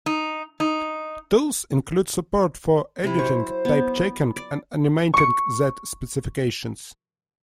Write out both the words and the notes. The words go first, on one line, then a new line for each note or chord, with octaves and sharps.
Tools include support for editing, typechecking and animating Z specifications.
D#4
D#4
C3 E4
F#3 C5 C#6
B3
D5
C#6 C#7